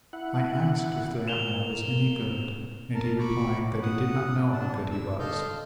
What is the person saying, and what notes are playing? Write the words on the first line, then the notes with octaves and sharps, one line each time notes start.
I asked if the animal was any good and he replied that he did not know how good he was.
E4 F#5
A#3 E7 F7 G7
A#4 A5
B5 C#6 D6
F#5 D#6
D4 A5
E6
A4 D#5 F5 C6 G6